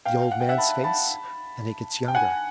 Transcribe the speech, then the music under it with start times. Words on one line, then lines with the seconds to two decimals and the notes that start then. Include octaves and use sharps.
The old man's face, and it gets younger.
0.05 F5 G5
0.32 F#5
0.40 G5
0.49 E5 F#5
0.58 A5 B5
0.84 A5 B5
2.08 G5
2.15 F#5 G#5